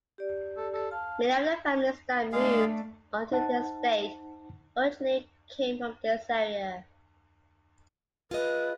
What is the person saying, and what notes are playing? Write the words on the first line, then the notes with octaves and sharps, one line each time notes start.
Many of the families that moved onto the estate originally came from this area.
G4 D5
A4
A4
F5 A5
G#3 A3 D4 G#4 F5
D#4 C5 F#5 A5
F4 G#4 B4 D#5